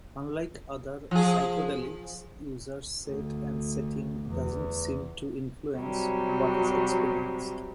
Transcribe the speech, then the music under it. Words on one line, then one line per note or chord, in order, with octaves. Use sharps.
Unlike other psychedelics, users' set and setting doesn't seem to influence what is experienced.
F3 G#4
D2
E2
C3 F#3 G3